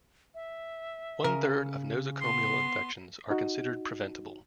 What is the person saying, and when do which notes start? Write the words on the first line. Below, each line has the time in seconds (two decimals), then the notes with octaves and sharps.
One-third of nosocomial infections are considered preventable.
0.34 E5
1.24 C#3 A#4
2.21 B3 C6 C7
3.30 D#4 F#4